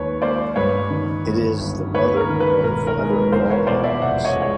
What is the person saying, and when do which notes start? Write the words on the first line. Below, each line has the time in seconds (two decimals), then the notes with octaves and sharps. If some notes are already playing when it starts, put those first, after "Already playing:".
It is the mother or the father of all animals.
Already playing: D#2 B4 C#5
0.22 A#3 C5 D5
0.56 G2 B4 C#5
0.90 D#3
1.26 G1
1.60 G1
1.94 D#2 B4 C#5
2.17 A#4
2.29 D#3
2.40 B4
2.64 E1 A#4
2.87 A#4
2.98 G#3
3.09 B4
3.32 E2 A#4 C5
3.50 B4 C#5
3.67 B2 C5 D5
3.84 D5 E5
4.02 F1 E5 F#5
4.25 C#5 D#5
4.36 G#3
4.42 C#5